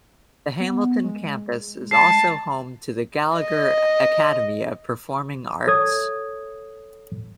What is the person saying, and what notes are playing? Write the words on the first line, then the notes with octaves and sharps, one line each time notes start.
The Hamilton campus is also home to the Gallagher Academy of Performing Arts.
B3
G#3
A5 C7
D#5
A4 C#5 D#6 G#6